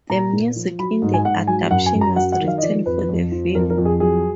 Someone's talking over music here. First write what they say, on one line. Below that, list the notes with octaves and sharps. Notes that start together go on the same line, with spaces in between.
The music in the adaptation was written for the film.
A#2 A#5
A#2
F3
F#3 B5
G#2
G#5
G#2 F#5
F#3 G#5
F#2 F#5
G#5
F#2
A#5
F#3 F#5
F#5
D#3
F5
D#5
F3 D5
F2 B4
F2
F3
F2 A#4
A#4
F2
G#4
F#3 G#4